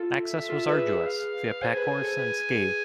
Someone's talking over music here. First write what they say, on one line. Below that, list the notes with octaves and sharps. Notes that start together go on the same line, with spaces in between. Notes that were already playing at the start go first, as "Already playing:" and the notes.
Access was arduous - via packhorse and ski.
Already playing: F4 A4
E5
F4 A4
G#4 B4
G#4 B4
F5
A4 C5 G#5
G#4 B4
A4 C5
A4 C5
G#4 B4